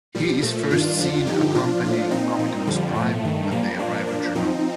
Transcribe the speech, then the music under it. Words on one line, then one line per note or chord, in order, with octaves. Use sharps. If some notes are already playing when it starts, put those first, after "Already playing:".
He is first seen accompanying Optimus Prime when they arrive in Chernobyl.
A#2 F3 G3
A#2 F3 A3
G2 D#3 D4 F4
F2 D3 F3
G2 D3 F3 D#4 G4
A#2 F3 D4 F4
A2 F3
A#2 F3 C4 D#4
A#2 F3
F2 D3 F3 G3
A2 F3 A3
G2 D#3
A#2 F3 G3 A#3
A#2 F3 A#3 D4
A#2 F3 A#3 D4
A#2 F3 C4 D#4